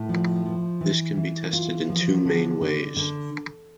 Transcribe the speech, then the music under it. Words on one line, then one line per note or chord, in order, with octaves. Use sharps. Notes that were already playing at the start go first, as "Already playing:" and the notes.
This can be tested in two main ways.
Already playing: A2
F3
F3
E3
E3
F4
F3
D3
D3
D3